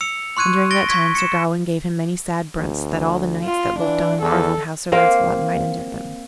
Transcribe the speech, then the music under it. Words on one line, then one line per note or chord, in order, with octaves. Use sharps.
And during that time Sir Gawain gave him many sad brunts, that all the knights that looked on marvelled how Sir Launcelot might endure them.
E6 C#7 F7
C6 C#6 F#6 G#6 D#7
A6 A#6 D7 G7
C#6 G#6 B6
C#7 E7
D2
F4
E3 D4
E2 A4
A#3 C4 F5